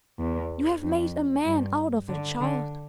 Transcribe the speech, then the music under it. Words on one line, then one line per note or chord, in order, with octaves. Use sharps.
You have made a man out of a child.
E2
F2
G2
D3
D3